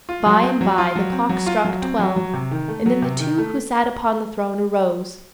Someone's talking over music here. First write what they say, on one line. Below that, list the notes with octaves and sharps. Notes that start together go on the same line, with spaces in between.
By-and-by the clock struck twelve, and then the two who sat upon the throne arose.
F4
F#3
C4
F#3
F4
F#3
C4
F#3
F4
F#3
C4
F#3
F#3
C3
D#3
A3
F#3
C3
D#3
A3